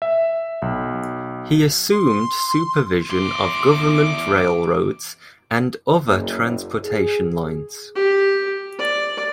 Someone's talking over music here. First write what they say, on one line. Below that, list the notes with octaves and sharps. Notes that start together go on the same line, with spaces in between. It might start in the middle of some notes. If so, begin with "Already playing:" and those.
He assumed supervision of government railroads and other transportation lines.
E5
B1
C6
E2 C6 D6
F#1
G#4
G4
D5